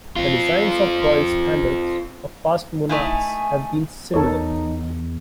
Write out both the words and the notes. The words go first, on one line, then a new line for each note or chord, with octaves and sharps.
The designs of royal standards of past monarchs have been similar.
C4 F4
A3 D#4 E4 G#5
E2 D#4 A4 A#4 C#5